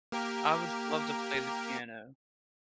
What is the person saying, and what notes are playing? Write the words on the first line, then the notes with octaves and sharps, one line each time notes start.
I would love to play the piano.
A#3 G4 A#4